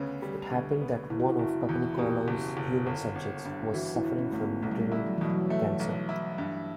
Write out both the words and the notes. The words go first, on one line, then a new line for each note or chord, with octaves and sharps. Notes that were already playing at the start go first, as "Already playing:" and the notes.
It happened that one of Papanicolaou's human subjects was suffering from uterine cancer.
Already playing: D2 C#3 B3
G3
D2
B3
F#1 E4
F#4
E4
F#1
E2
B2 G4
F#1
F#1
G1
G1
G2
E3 F#4
E4
G1
C#4
G1 A3
B3
B1 A3
G3
A3
E4
F#3
B2 E3
F#3
A3
B1
E4
G2